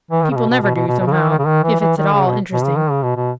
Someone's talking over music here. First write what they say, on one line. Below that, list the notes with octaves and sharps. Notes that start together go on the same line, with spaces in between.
People never do, somehow, if it's at all interesting.'
E3
D#3
C#3
B2
B2
B2
B2
B2
B2
C#3
D#3
D#3
C#3
D#3
E3
E3
D#3
C#3
B2
B2
C#3
D#3
C#3
B2
B2